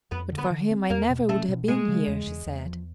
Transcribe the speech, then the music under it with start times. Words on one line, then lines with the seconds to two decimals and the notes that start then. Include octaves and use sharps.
"But for him I never would have been here," she said.
0.11 F2 B3 B4
0.32 D3
0.38 B3 B4
0.50 D3
0.71 C4
0.90 E2 A#3 A#4
1.10 B2
1.29 A3 C#4 A4
1.48 B2
1.68 G#3 A3 G#4
1.88 C#3
2.07 E2
2.27 E2
2.46 E2
2.66 F3